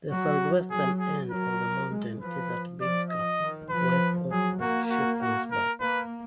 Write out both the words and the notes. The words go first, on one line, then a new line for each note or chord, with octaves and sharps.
The southwestern end of the mountain is at Big Gap, west of Shippensburg.
F#3 F#4
F#3 G#4
G#4
F#3 A#4
G#3
F3 B4
F3 D5
D#5
D#3
F3 B4
F#3 G#4
A#3 F#4
F#4
F#4
A#4
A#3 B4